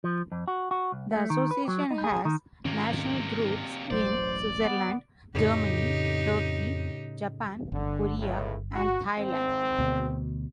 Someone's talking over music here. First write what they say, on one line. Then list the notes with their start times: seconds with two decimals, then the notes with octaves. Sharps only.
The association has national groups in Switzerland, Germany, Turkey, Japan, Korea and Thailand.
0.04 F3
0.32 F2
0.48 F#4
0.71 F#4
0.92 C2
1.11 A3
1.30 D#3
1.51 B4
1.68 F#3
1.91 D#4
2.04 G#4
2.25 D#3
2.65 G#2 C3 D#3 A#3 C#4
3.90 E1 A1 F#3 C5 D5
4.59 B3
5.35 F2 A2 C#3 D#4 G4
7.72 G1 D3
8.18 C#2 A2
8.76 F#4
9.17 G#1 C4
9.78 D2 B2